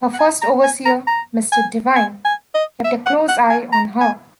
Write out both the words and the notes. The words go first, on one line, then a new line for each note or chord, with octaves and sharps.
Her first overseer, Mr. Divine, kept a close eye on her.
F#5
G#5
A#5
G#5
A#5
A#5
G#5
G#5
G#5
D#5
E5
F#5
F#5
G#5
A#5
G#5